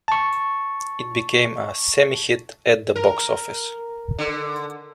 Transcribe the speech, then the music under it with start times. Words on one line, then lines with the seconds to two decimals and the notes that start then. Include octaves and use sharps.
It became a "semi-hit" at the box office.
0.08 A5 C#6
2.96 A#4
4.19 D3